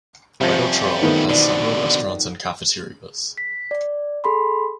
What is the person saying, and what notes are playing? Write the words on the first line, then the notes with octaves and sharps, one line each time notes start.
Litochoro has several restaurants and cafeterias.
C3 F3 G3 C#4
D#3 A3 B3
B2 D3 D5
B6
D5
G#4 A4 B5 C6